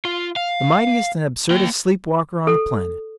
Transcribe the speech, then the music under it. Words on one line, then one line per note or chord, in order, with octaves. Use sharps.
The mightiest and absurdest sleep-walker on the planet!
F4
F5
A#3 G5
A4